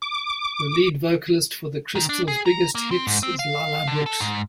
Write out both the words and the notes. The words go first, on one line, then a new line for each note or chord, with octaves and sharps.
The lead vocalist for The Crystals' biggest hits is La La Brooks.
D6
D#3
D4
G#4
A#5
A#3
C4
G#2
C4
F5
D3
A4
G#2